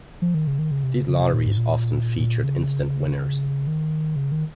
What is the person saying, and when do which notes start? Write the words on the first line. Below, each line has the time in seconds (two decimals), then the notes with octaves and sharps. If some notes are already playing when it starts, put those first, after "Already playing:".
These lotteries often featured instant winners.
0.22 F3
0.34 D#3
0.47 C#3
0.59 D#3
0.71 C#3
0.84 C3
0.97 C#3
1.08 C#3
1.21 C3
1.33 A#2
1.46 G#2
1.57 A#2
2.20 A#2
2.44 C#3
3.67 D#3
4.16 C#3
4.32 D#3